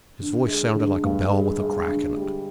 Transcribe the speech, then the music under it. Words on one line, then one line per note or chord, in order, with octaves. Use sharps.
His voice sounded like a bell with a crack in it.
D3
G#3
D3
G2
G#3
G#3
D3
G3